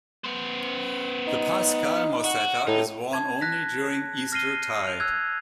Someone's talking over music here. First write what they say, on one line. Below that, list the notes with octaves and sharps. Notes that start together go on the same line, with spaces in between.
The Paschal mozzetta is worn only during Eastertide.
B3 C5
D#4
F#4
A2 D#4
A5 G#6
F#6 A#6 B6
F6 A#6 C7 D#7 G7
F7
E6 F#6 G#6